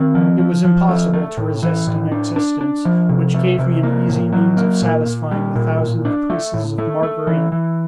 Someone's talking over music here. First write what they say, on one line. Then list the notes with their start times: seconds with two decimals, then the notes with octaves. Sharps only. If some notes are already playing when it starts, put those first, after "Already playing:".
It was impossible to resist an existence which gave me an easy means of satisfying the thousand caprices of Marguerite.
Already playing: D#3 C4
0.15 F3
0.39 F3
0.65 F3
0.89 A3
1.13 A3
1.37 A2
1.63 E3
1.87 A2
2.12 D4
2.36 D4
2.61 D4
2.85 F3
3.09 C3
3.34 A3
3.59 C3
3.83 A#3
4.09 A2
4.32 F#3
4.57 A#3
4.82 A#2
5.06 A#2
5.31 G3
5.56 A#2
5.80 A2
6.05 D4
6.30 A3
6.54 A2
6.78 A3
7.03 A3
7.27 E3
7.52 E3